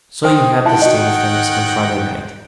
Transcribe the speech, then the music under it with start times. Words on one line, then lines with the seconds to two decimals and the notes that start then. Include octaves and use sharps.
So you have the state of things on Friday night.
0.24 D#3 A#4 C5 G5 D#6
0.65 D#3 E4 F#5 G5 A5
0.82 F#4 D#5